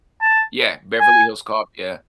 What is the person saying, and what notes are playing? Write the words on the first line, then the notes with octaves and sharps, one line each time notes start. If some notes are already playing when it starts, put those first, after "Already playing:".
Yeah, Beverly Hills Cop, yeah.
A5
G#5